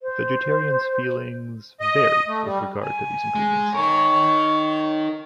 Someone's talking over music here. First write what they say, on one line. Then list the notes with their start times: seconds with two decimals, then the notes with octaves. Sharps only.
Vegetarians' feelings vary with regard to these ingredients.
0.02 C5
1.81 D#5
2.27 A3
2.44 G3
2.83 G#5
3.35 G#3
3.75 D#4 A#4 C#5